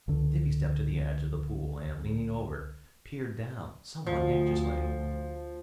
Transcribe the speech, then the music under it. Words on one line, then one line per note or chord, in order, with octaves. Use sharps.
Dippy stepped to the edge of the pool and leaning over peered down somewhat anxiously.
C#2 D3
D2 F3